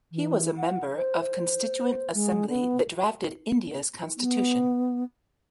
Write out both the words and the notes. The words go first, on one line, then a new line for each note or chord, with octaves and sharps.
He was a member of constituent assembly that drafted India's constitution.
E3
F#5
C5
C5
G#3
B3
B3